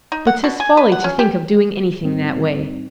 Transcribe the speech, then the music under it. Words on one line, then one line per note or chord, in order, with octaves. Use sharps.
But 'tis folly to think of doing anything that way.
D#4
F#5
B2
G#5
B4
F#5
C#4
G4
G#2 G3 C4 D#4